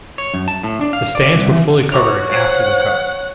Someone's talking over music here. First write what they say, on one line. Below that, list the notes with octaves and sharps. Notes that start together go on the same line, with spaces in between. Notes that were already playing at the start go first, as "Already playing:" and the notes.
The stands were fully covered after the cup.
C#5
F#2
A5
A2
D4
F5
D5
C2
E3
F#4 C#5 C#6 D6 F7
C5 F#5 G#6 C7